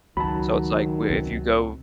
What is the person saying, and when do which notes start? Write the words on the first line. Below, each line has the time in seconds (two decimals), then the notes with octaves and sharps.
So, it's like, we if you go
0.17 C#2 D#3 F#3 A5 B5
1.10 C#2 C3 C4